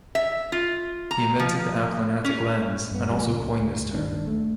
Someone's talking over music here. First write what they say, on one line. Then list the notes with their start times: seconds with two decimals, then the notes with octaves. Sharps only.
He invented the aplanatic lens and also coined this term.
0.15 E5
0.52 F4
1.11 A#5
1.39 F3
2.24 C#4
2.91 G2 B3
3.10 A1 G3
3.23 C#2 G2 A#2
3.61 D2
3.92 D#1 D#3 C#4 D4
4.27 A3